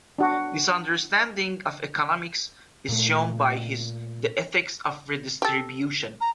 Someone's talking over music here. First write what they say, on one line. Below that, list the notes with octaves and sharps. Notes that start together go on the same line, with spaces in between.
This understanding of economics is shown by his "The Ethics of Redistribution".
D4 F#4
A#2 A3
G4 A4
A#5